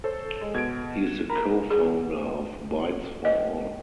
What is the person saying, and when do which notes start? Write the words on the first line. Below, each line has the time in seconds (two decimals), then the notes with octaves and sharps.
He is the co-founder of BytesForAll.
0.04 A4 C5 C#5
0.41 G#3
0.54 B2 G#6 D7
1.04 E7
1.30 A#4 B5 B6
1.70 G#4
3.25 D#5